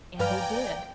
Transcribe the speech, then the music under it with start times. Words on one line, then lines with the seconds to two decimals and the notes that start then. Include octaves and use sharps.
And they did.
0.19 G2 B4 D5 F5 G5 G#5 A#5 F6